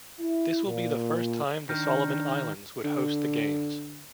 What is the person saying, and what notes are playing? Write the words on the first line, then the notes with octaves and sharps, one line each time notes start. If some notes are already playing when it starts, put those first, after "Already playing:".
This will be the first time the Solomon Islands would host the Games.
E4
A#2
D#3 D4 F6 G6 A#6
D3